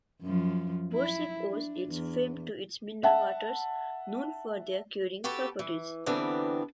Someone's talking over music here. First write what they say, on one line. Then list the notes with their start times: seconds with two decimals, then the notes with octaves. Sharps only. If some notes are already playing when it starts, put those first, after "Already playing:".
Borsec owes its fame to its mineral waters, known for their curing properties.
0.23 F#2 F3
0.93 E4
1.49 D4
1.87 E2
3.03 E5 F#5 A5
5.24 F#4 G4 A4 B4
5.59 E3
6.06 D3 E3 G3 B3 C4 D4